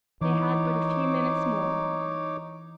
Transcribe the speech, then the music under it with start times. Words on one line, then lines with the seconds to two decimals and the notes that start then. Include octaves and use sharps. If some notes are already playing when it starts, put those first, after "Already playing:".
They had but a few minutes more.
0.21 E3 D#4 C#5 D6